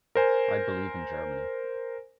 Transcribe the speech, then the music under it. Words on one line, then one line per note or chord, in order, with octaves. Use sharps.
I believe in Germany.
A#4 C5 G#5